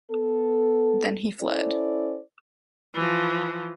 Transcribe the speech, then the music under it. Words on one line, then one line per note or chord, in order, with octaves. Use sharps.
Then he fled.
B3 A4
C#4 E4 A4 C5 D5
E3 F3